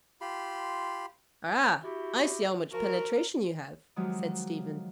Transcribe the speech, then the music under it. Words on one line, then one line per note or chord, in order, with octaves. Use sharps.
"Ah, I see how much penetration you have," said Stephen.
F4 G4 B5 C6
E4 F#4 G4
F3 F#4 A#4
D#3 F3 F#3 G#3 F#4 G4